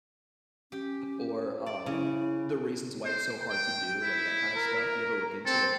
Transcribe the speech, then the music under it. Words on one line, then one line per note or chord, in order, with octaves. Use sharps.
or um, the reasons why it's so hard to do, like, that kinda stuff? You ever look into it?
C#4 G4
D5
C#3 E4
C5
G5
E4
A#4
C4 A4